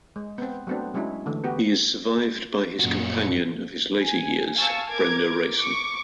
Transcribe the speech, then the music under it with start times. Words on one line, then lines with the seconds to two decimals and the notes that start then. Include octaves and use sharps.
He is survived by his companion of his later years, Brenda Rayson.
0.16 G#3
0.38 B3 C4
0.67 F#3 A3 B3 C4 D4
0.94 F#3 G#3 C#4 D4 E4
1.26 D3 E3 A3
1.44 B3 F#4 G4
2.80 F#2 A#2 F#4 C#7
4.01 G#5
4.55 F5 G#5 A5 C#6 E6
4.91 A#4 D6 G#6
5.57 C#6 D6